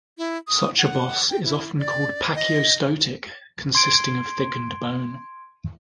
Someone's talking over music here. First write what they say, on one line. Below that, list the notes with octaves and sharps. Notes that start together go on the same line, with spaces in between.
Such a boss is often called "pachyostotic", consisting of thickened bone.
E4
D#6
F#5
G5
E4
D5
D#5
C6 G#6 D7